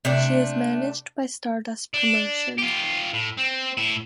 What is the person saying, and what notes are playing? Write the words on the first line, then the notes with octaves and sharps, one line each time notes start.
She is managed by Stardust Promotion.
C3 A3 D4
D4
F4 G4
A2
C4
A2 E4